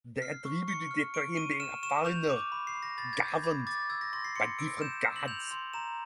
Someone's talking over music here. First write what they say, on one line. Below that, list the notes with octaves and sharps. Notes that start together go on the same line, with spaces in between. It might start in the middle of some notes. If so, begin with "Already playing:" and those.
They attributed it to him being a foreigner governed by different gods.
F6 C7
C#6
C#6 C#7
F6
C#6 D7
C#6 D#7
F6 E7
C#6 E7
G6 F7
D6
B5
C7
B5
A#6
B5 A6
G#6
G6
G#6
B5 G#6
D6 A6
E6 G#6
A#6
C6 A#6
C7
C6 C#7
E6 D7
G6 E7
E6
F#7
G6 F7
C6
A#5 E7